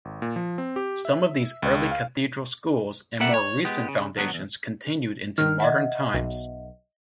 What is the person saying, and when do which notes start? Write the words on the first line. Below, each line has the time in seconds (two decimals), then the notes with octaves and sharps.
Some of these early cathedral schools, and more recent foundations, continued into modern times.
0.05 G#1
0.22 A#2
0.36 F3
0.58 C4
0.76 G4
1.05 E5
1.62 C#2
1.91 F5
3.20 C2 G3 A#3 A4 E5 F#5
3.34 C#5
3.65 G#3 B3 G4
3.88 C#3
4.16 G2 D3 F#3 B3
4.30 B1 E2
5.38 D#3 F6
5.60 D#5 E5 F#5
6.14 B1